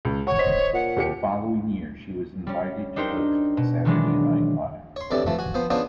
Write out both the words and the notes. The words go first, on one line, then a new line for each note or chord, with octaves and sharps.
The following year she was invited to host "Saturday Night Live".
C#2
C#5 F#5 C#6
C5 D#5 B6
A#2 F#5
D#2 G4 C#7
G3 C#4
D4 D#4 G4 A#4 C5 G5
B2
D#3 E3 F#3 G#3 B3 D4
C#5 C6
D2 A2 C3 E3 D5
E3 F3 A3
F#4 G#5
F3 B3 C5
C#3 B3 D4 F4 C5 C#5